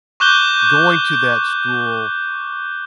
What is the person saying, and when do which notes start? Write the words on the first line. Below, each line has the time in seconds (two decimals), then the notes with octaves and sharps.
going to that school,
0.20 C#6 D6 F#6 G6 G7